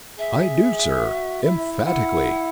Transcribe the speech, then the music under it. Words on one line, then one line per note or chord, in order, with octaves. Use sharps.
"I do, sir, emphatically."
G#4 E5
F#4
E4
E4 F#5